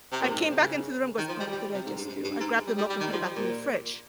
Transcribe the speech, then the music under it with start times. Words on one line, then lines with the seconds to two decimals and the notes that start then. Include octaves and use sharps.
I came back into the room, goes, "Oh, what did I just do?" I grabbed the milk and put it back in the fridge.
0.12 C3
0.22 A#2
0.31 G#2
0.41 G2
0.52 C3
0.56 C#3
1.18 D#3
1.29 F3
1.40 G3
1.52 G3
1.74 C3
1.86 G#2
1.98 G2
2.09 G2
2.24 G2
2.40 G#2
2.67 G3
2.78 G3
2.90 G3
3.01 D#3
3.13 F3
3.24 G3
3.36 A#2